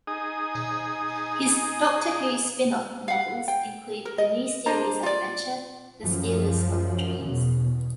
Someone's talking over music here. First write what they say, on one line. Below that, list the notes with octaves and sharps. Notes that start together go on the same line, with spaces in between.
His "Doctor Who" spin-off novels include the New Series Adventure "The Stealers of Dreams".
D#4 G#4 D#6
F5 F#5
G5
A#4
D#5
D4 C5 D#5 A#5
F4 D5
F#2 F3
E2 B2